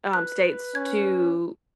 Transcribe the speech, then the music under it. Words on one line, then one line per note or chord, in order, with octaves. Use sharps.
um, states to
B4 F#6
C#4 G#6